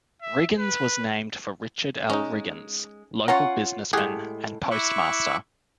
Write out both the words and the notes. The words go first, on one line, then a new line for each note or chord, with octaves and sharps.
Riggins was named for Richard L. Riggins, local businessman and postmaster.
E5
B4
G#3 C#4 D#4
C#4 F4 C#5 F#5 A#5
A2 G#3 G4 G#4 F#5
E4 E5 C#6 D6 E6 F#6